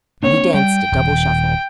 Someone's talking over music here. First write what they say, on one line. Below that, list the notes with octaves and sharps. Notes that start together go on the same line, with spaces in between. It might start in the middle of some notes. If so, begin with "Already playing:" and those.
And he danced a double shuffle.
A#3 C4 D4 C#5
G3 G5
D#1